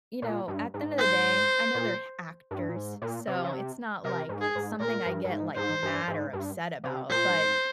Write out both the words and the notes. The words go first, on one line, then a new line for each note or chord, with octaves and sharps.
you know, at the end of the day, I know they're h actors, so it's not, like, something I get, like, mad or upset about, but
A#2
G2
G#2
C5
A#2
G2
A#2
G#2
A#2
C3
C#3
C3
C3 A#4
G#2
G#4
G#2
A#2 A#4
G2
G2
G#2
G#2 C5
G2
G#2
G2
C3
A#2 C5
G2
G#2